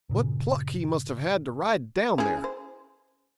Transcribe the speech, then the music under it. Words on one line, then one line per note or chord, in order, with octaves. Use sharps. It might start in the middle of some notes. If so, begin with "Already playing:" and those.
What pluck he must have had to ride down there!'
G2 A#2 C#3
C#4 E4 G#4
C5